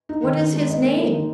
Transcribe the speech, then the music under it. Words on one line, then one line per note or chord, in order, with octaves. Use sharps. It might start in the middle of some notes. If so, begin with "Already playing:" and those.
"What is his name?"
D#4
D#3
B3
G#3
D#5
A#3
A#4
D#4